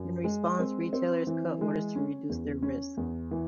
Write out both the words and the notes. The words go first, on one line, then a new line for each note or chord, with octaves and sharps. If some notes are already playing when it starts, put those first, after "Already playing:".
In response, retailers cut orders to reduce their risk.
Already playing: F#2
G#3
C4
C4
E3
G#3
C#4
E2
C#4
E2
E3